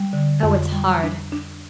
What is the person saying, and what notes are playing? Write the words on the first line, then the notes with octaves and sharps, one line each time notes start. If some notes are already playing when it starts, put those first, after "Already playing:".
Oh it's hard.
Already playing: G3
D3
F2
G3
D4
D4